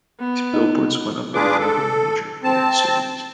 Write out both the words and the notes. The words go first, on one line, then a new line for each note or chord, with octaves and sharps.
These billboards went up in eleven major world cities.
B3
D#4
D4 F4 G#4 B4 D6
A4
C4 A5